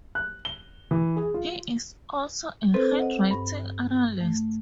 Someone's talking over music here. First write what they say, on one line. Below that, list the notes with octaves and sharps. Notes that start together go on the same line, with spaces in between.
He is also a handwriting analyst.
F#6
G7
E3
G#4
F4
C4 A4 B4 C5
D#5 F#5
G2
A3